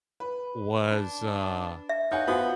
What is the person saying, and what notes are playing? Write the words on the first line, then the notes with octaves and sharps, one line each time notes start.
was, uh,
B4
D4
E5
D#4 C#5 F5 F#5 G#5 G6
B3 F4 F#4 C5 F5 F#5 F#7